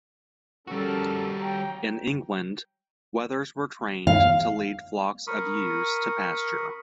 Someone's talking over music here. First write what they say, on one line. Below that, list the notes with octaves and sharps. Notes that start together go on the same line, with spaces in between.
In England, wethers were trained to lead flocks of ewes to pasture.
G3 C#4 F#4 A4 A#4
C#5 G5 A#5
F5
A#4 B5 C#6 D#6